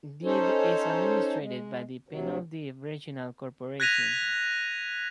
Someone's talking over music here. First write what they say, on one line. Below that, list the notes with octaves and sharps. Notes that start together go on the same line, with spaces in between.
Debe is administered by the Penal-Debe Regional Corporation.
C#4 D#4 A4 C5 C#5
G#3
D2 C3 F#3
F#6 G#6 A#6 B6 D#7 F7